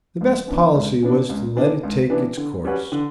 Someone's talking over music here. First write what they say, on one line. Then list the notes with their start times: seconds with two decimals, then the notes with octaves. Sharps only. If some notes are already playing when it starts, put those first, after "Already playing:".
The best policy was to let it take its course.
0.21 C#2
0.48 C#3 E3 B3 D4
0.74 C#2
1.02 C#3 E3 B3 D4
1.29 C#2
1.56 C#3 E3 B3 D4
1.83 C#2
2.10 C#3 E3 B3 D4
2.37 D3
2.65 G3 C#4 F#4 B4
2.92 D3